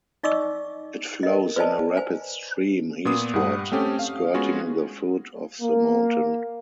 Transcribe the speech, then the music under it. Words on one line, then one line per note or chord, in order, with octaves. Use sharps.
It flows in a rapid stream eastward, skirting the foot of the mountain.
D#4 D5 D#5 C#6 D6 E6
A#4 D#5
B4 C5 D5 D#5 G#5 A5
C5 G#5
A#2 B3 D#6
G2 G3 F#5
A3 C4 C#4 G4 A4
F5
G#3 B3 C#4 F4 F#4 G#4
A#3